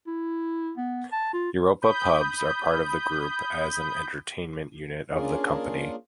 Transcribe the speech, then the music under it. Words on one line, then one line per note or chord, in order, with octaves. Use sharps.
Europa Pubs are part of the group as an entertainment unit of the company.
E4
B3
A5
F4
B5 D#6 G6
A#3 C#4 D4 F4 G#4 A#4